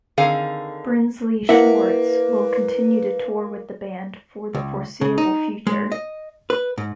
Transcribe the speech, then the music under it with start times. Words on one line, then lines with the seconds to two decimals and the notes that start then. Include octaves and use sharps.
Brinsley Schwarz will continue to tour with the band for the foreseeable future.
0.18 D3 D#3 C4 G#4 F5
1.49 A#3 E4 B4 E5 F#5
4.55 C#2
5.01 C#3
5.18 D#4
5.67 G#3
5.92 D#5
6.50 B4
6.78 G#2